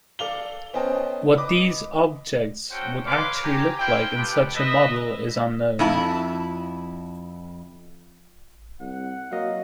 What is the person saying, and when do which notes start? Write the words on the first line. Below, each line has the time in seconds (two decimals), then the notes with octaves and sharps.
What these objects would actually look like in such a model is unknown.
0.19 A4 D5 F5 F7 G7
0.73 B3 C#4 C5 D#5 G5 A5
1.36 B4 D#5 D6
2.71 C#4 F#4 A4 C5 F#5 G5
3.06 A3 B4 C#5 F5 C6 D6
3.43 G4 G#5 A#5
3.79 E4 C5 F5 G5
4.16 F4 G4 A4 B4 G5
4.56 B4 D#5 E5
5.79 F2 E4 A5
8.80 C2 F#5
9.31 F#3 A#3 D#5 F5